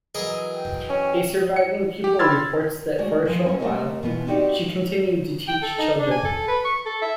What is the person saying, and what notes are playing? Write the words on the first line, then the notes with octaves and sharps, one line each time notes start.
A surviving pupil reports that for a short while, she continued to teach children.
E3 F#3 G#4 A#4 D#5
G5
C#4
C#7
G4
B5 C6 E6 F6 G#6 A6
G#3 A3 F#4 D5
E3 F3
F#3 C#4
A3 C4 D4 G4 A#4 D#5
B2 E3 B3 F4
C4 D#4 F#4 G4 D5
G5
A4
D#4
D4
G#5
A4
B4
C#6
A4
E5